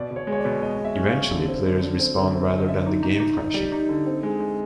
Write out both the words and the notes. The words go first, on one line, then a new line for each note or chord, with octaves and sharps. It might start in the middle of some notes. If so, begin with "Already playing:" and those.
Eventually players respawn rather than the game crashing.
Already playing: B2 D5
B2
C#5
G#3
C#5
D5
B2
G#3 D#5
B2
E5
C#4
F5
C#4
D3
C4
D3
D3
C4
D3
C4
D3
D#5
D3 E5
D#4
D#4
D#4
D#4
G3
D#4
D3
C4
G#3
G#3